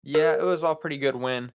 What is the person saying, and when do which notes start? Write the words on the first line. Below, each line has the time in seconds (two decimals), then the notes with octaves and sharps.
Yeah, it was all pretty good when
0.15 A#4